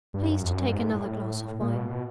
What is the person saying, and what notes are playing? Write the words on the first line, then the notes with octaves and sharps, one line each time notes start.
"Please to take another glass of wine."
G2
F#2
F2
F#2
G2
G#2
A2
A#2
B2
B2